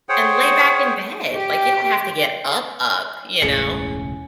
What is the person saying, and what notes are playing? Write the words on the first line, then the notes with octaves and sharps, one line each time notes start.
and lay back in bed. Like, you don't have to get up-up, you know?
G#4 C5 C#5 F#5 G5
G4
E1 C#2 A2 C#3 C#4 C#7